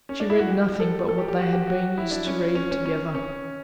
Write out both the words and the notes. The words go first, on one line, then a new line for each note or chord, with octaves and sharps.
She read nothing but what they had been used to read together.
C#4
D4
E4
F#4
G4
A4
A4
G4
G4
F#4
G4
F#4
E4
D4
C#4
C#4
C#4
C#4
C#4